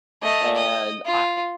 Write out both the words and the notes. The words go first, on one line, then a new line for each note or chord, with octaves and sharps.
And I
A3 D#5
D#5
F4